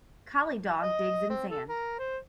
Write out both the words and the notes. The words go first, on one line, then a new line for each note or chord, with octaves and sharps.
Collie dog digs in sand.
D#5
C4
A4
A#4
C5